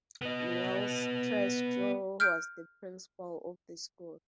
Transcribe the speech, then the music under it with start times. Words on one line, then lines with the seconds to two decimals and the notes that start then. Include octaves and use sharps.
Niels Treschow was the principal of this school.
0.22 B3 D#5
2.20 F6 G6 D7